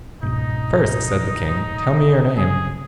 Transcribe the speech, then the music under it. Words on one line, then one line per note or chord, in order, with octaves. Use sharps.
First, said the king, tell me your name.
C#2 G#2 B2 D#4
C#3 G#4